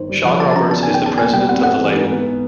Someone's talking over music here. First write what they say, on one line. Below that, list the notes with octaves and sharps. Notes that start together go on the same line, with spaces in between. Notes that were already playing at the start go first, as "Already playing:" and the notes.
Sean Roberts is the president of the label.
Already playing: G1 D#3 C5
G3
F3 F#5
A#3 A5
A5
C#3 A#5
E2 A5
D#3 G#5
G5
E2 A5
A#2 G#5
G3 G5
C4 F#5
A3 F#5
E3
G#2
B3